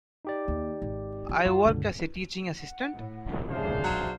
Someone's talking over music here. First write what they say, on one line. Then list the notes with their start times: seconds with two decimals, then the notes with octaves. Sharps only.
I work as a teaching assistant.
0.25 D#4 G4 D5
0.48 D#2
0.82 G#1
1.29 F3
1.45 F#2 F4
1.65 C#2 G2 B2 D3
2.58 F#5
2.92 A2
3.51 C#3 D4 G#4 C5 E5 F5 A5
3.84 B1 F#3